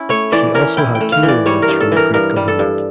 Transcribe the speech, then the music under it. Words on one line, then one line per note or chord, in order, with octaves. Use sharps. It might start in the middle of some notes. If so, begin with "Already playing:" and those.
She also had two awards from the Greek government.
Already playing: C#4 E4
A3 C#5
E3 D5
C#4 A#4
E4 G5
G5
A3
F5
E3
D5
G3 C#5
A#4
G2
A4
E3 A#4
G2 A#4
G3
A4
G2